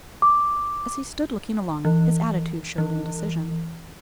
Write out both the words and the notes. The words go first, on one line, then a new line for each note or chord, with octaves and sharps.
As he stood looking along it, his attitude showed indecision.
D6
E3
E3